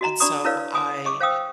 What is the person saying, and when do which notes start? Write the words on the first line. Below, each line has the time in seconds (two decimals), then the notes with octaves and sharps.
and so, I
0.01 F#4 D#5 A#5
0.20 D4 D5 A#5 B5 C#6 D#6
0.44 E4 A#4 B4 C#5 D5 F5
0.75 G#5 D#6
1.05 D#5 C#6 D6
1.20 C5 F5 G5 D#6 E6